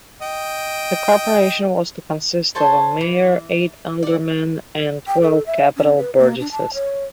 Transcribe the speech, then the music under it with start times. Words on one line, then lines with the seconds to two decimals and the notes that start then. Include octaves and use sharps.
The corporation was to consist of a mayor, eight aldermen and twelve capital burgesses.
0.22 D#5 G5
2.55 A4 C5 C#5 A5
3.01 E3
4.03 D5 F#5
5.07 G5
5.22 A4
5.46 E5
5.76 C#4
5.97 B4
6.18 A#3
6.40 D4
6.52 A5
6.74 C#5